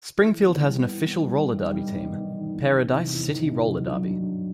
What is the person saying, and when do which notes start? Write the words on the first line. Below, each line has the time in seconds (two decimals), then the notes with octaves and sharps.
Springfield has an official roller derby team: Pair O Dice City Roller Derby.
0.17 E3
0.32 E3
0.47 B3
0.62 G3
0.76 B3
0.91 E3
1.06 B3
1.21 G3
1.36 B3
1.50 D#3
1.65 G3
1.80 D#3
1.95 D#3
2.09 B3
2.24 D#3
2.40 D#3
2.54 E2
2.69 D#3
2.84 C3
2.99 E2
3.13 E2
3.28 D#3
3.43 C3
3.57 D#3
3.73 F#3
3.87 F#3
4.02 G2
4.17 G2